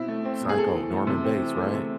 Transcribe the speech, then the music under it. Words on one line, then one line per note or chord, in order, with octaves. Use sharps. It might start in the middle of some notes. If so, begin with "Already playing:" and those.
Psycho, Norman Bates right?
Already playing: B2 C4 E4
A3
C4
B2
G#4
C4 A4
E3
A3
C3
C4
E3
A3
C3